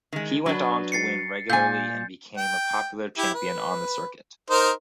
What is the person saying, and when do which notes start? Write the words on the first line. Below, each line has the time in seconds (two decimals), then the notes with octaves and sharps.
He went on to win regularly and became a popular champion on the circuit.
0.13 D#3 G#3
0.46 F#3 D4 B4
0.92 A6 C7 C#7
1.50 A#2 G#5 G6 A6
2.37 G5
3.18 E4 G4
3.34 B4
4.50 D#4 A#4 C5